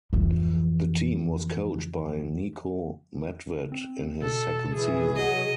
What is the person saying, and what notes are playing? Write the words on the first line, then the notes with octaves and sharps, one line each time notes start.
The team was coached by Niko Medved in his second season.
F2 E3
C4
B2 A4
E3 G#4
C3 F#3 D#5